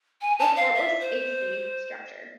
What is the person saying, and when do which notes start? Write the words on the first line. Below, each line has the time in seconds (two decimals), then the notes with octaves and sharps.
The Fort was a safe structure.
0.21 G#5
0.39 A5
0.56 F5
0.74 E5
1.00 C5